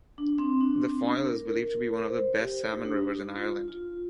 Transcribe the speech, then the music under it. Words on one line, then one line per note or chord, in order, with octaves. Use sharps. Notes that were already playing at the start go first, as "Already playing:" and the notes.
The Foyle is believed to be one of the best salmon rivers in Ireland.
D4
C4
D4
C4
D4
A#4
C5
G4
D#4
D4
D#4
F4
F4